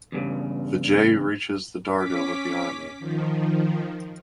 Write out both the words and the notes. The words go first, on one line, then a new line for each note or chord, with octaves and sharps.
Vijay reaches the dargah with the army.
E2 G2 A#2 C#3
C#4 D6 B6
D#3 F3